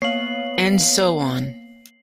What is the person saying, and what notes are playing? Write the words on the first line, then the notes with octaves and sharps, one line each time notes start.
And so on.
A#3 B3 C#5 F5 C7 F#7